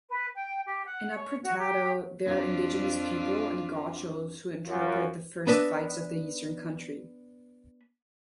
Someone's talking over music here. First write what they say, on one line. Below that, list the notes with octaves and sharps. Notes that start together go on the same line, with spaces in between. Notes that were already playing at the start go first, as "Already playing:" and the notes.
In Apretado there are indigenous people and gauchos who interpret the first fights of the Eastern country.
B4
G5
G4
F#5
C#5
F#4
G4
F2 D4 F4
F#2 F4
B3 D4 B4 D#5 E5